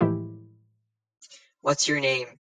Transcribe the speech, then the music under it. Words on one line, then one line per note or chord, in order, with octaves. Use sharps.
What's Your Name?
A2 E3 F3 G#3 E4 G4